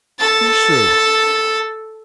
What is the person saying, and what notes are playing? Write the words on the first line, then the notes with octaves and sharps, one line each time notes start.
"Yes, sir."
A4 A6